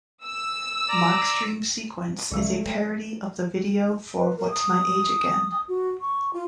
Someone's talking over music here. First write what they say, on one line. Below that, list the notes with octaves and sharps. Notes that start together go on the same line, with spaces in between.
Mark's dream sequence is a parody of the video for What's My Age Again?
E6
D5 A#5
C#2 C#3 F#3 G#3 A3
B4
A#4
D#6
F#4
C#6
F4